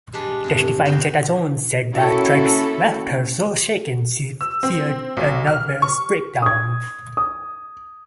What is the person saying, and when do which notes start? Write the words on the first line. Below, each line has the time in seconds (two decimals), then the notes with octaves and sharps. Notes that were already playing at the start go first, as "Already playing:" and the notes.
Testifying, Zeta-Jones said the threats left her so shaken she feared a nervous breakdown.
0.13 G3 G#3 D4 B4
0.44 G2 C3 B3
0.58 C4 C#5
0.85 B3 F#4 A#4 C5 G5
1.94 A#3 C#4 E4 F#4 A4
4.41 E6
4.63 C4
5.17 B1
5.47 F6
5.82 C#6
6.42 D#6 G#6
7.17 D#6